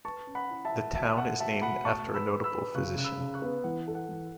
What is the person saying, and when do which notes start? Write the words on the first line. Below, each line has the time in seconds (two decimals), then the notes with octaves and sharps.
The town is named after a notable physician.
0.05 B4 A5 C#6
0.27 C#4
0.35 F#5 B5
0.50 E4
0.65 E5 A5
0.72 E4
0.95 B2 E5 A5
1.18 B2 F#5
1.40 B2 E5 A5
1.62 B2 F#5 B5
1.84 A3 A5 C#6
2.07 B4
2.14 B5 E6
2.30 B4
2.44 B5 E6
2.52 B4
2.74 C#3 C#6 F#6
2.97 C#3 F#6
3.04 B5 E6
3.19 C#3
3.34 C#6 F#6
3.42 B3
3.64 E3 F#5
3.87 A4
3.95 F#5
4.09 E3